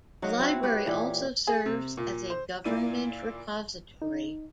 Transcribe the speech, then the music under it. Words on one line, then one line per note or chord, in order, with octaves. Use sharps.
The library also serves as a government repository.
F#3 D#4 F#4 F5
C4 E4 F#4
F#4 G4 B4 C#5
A#2 E3 G4
G#4
C3
A#2
C5
A#2 A#3 E4 D5 D#7
D#4